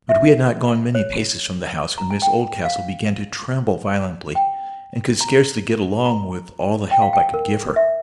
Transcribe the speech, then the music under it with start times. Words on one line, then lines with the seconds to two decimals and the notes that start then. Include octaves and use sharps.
But we had not gone many paces from the house when Miss Oldcastle began to tremble violently, and could scarcely get along with all the help I could give her.
0.09 E5
0.95 C#5
1.98 A#5
2.11 G#5
2.22 G5
2.65 F5
4.35 G5
5.21 A#5
6.06 A#5
6.91 G5
7.02 F5
7.13 G5
7.34 A#4
7.76 E5